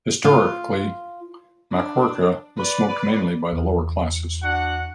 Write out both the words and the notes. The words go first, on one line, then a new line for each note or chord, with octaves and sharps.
Historically, makhorka was smoked mainly by the lower classes.
F4
D4
B4 D5
E2
D4 F#4 F#5